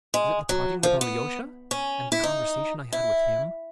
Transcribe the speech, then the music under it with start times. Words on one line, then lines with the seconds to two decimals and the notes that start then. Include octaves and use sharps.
Is it the parting with Alyosha and the conversation I had with him?
0.14 G#3
0.49 F#3
0.83 F3
1.01 B3
1.71 C#4
2.12 E4
2.24 D#4
2.93 E4